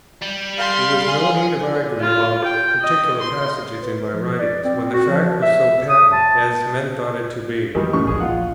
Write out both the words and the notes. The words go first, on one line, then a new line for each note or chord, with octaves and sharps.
There was no need of arguing about particular passages in my writings, when the fact was so patent, as men thought it to be.
G3
F5 C6
G#4
F4
G5
D#5
C6
B4
F3
D5
C4
F#4
F3
E5
D#6
A5
F2 D#3 E3 G3
A2 C#3 C#6
A#1 D#2 G#3 G#4
F4 F#5